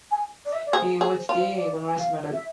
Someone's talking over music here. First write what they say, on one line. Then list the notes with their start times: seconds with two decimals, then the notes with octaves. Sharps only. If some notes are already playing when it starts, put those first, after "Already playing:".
He holds the Gunnerus Medal.
0.11 G#5
0.45 D5
0.53 E5
0.66 D5
0.73 G#4 C5
1.01 G#4
1.14 C5
1.29 F4
1.36 C5
1.57 D5
1.88 G#5
1.99 F5
2.33 E5